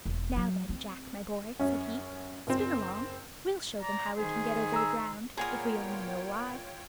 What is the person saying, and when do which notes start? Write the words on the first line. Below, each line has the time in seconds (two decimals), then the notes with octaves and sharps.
"Now then, Jack, my boy," said he, "spin along, we'll show them how we can get over the ground, if we only know why."
0.06 E1
0.36 F#3
0.69 C4
1.59 F#2 C#4
2.47 F#1 C4
3.82 D5 A#5
4.17 D#3 G#4 C5
4.74 A#5 E6
5.37 A#2 B3 F4 G#4 A#4 C#5 G5 D#6